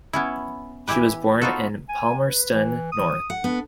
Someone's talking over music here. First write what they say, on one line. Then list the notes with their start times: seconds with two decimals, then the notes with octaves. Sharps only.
She was born in Palmerston North.
0.13 B3 C#4 E4
0.88 E3 E4 G4 B4
1.41 B3 D#4 F4 F#4 A4
1.89 G#5
2.26 B4
2.52 E3
2.92 D#6
3.30 F#5
3.44 B3 D4